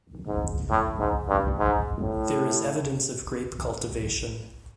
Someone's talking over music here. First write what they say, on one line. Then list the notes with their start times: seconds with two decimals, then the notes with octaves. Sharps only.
There is evidence of grape cultivation.
0.27 G#2
0.71 A2
0.99 G#2
1.28 G2
1.59 G#2
2.02 A2